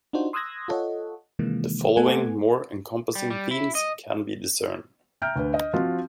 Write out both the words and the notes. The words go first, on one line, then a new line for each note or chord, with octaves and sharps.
The following more encompassing themes can be discerned.
D4 D#4 F4 F#4 C5
C6 D#6 E6 F#6 G#6 A#6
F4 A4 C#5 D#5 F#5
C3 D#3 E3 G#3 A#3
A3 B3 A4 F#5 G#5
G3
G3
E4
D#5
E5 G5 A#5 F6 G6 D7
D2 B4
D#5
F3 C4 F4 F#4